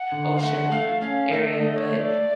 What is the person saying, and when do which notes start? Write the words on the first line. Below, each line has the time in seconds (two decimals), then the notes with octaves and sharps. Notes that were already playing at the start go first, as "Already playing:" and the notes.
ocean area, but
Already playing: F#5
0.12 D3
0.38 F5
0.41 A3 F#5
0.71 A3 F5
1.01 C#4 F5
1.31 A3 E5
1.53 D#5
1.61 A3
1.76 C#5
1.91 A3
1.99 D5